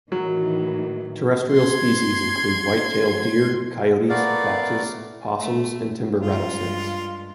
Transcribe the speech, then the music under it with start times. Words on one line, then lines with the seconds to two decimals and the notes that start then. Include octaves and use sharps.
Terrestrial species include white-tailed deer, coyotes, foxes, opossums, and timber rattlesnakes.
0.12 A2 D#3 E3 F#3
1.54 C6 G#6
4.09 A3 B3 A#4 D5 F5 F#5
5.40 A3
6.21 G2 G#3 F4